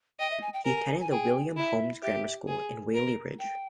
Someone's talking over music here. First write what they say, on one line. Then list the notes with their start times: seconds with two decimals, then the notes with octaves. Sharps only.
He attended the William Hulme's Grammar School in Whalley Range.
0.20 D#5 G5
0.30 E5
0.41 G#5
0.54 G5
0.65 A#4 G#5
1.01 G#5
1.10 G#4 G5
1.57 E4 E5
2.02 G4 E5
2.48 G#4
2.95 A#4
3.39 G5